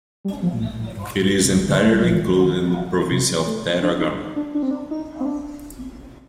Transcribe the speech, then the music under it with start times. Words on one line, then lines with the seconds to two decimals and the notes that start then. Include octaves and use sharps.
It is entirely included in the province of Tarragona.
0.25 G3
0.43 F3
0.53 A#2
0.61 A2
0.79 A2
0.97 G2
1.20 A2
1.45 C3
1.68 D3
1.81 A3
1.93 G3
2.04 F3
2.16 D#3
3.11 C3
3.47 A3
3.83 D4
4.01 D#4
4.36 D4
4.54 D4
4.63 C4
4.71 D4
4.91 D#4
5.20 C4
5.26 D4